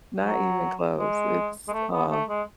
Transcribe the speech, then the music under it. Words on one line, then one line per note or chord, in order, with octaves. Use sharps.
not even close. It's, uh
F#3
G#3
G#3
A3
B3
A3
G#3